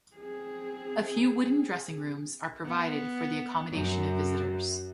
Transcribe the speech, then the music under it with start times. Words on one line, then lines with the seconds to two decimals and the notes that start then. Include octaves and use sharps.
A few wooden dressing-rooms are provided for the accommodation of visitors.
0.16 C4 G#4
2.65 B3
3.72 F#2